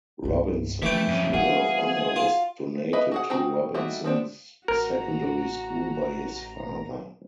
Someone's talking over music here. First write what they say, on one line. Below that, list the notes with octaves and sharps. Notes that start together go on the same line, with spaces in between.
Robinson's Medal of Honor was donated to Robinson Secondary School by his father.
C2 G2
E3 F3 A3 E5 G5 G#5
F2 C#4
G3 B3 F#4 G#4 F5 F#5
F4
B3 B4 D#5 E5 B5
F#4 G#4 F#5
C4 F#4 G#4 G5 A#5
G3 A3 D#4 E4 F#4
B3 C4 D4
A1 F#4 A#4 A#5